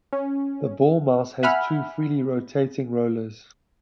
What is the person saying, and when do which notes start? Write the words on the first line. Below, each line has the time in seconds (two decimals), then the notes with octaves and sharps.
The ball mouse has two freely rotating rollers.
0.13 C#4
1.43 E5 F#5 G#5 B5 F6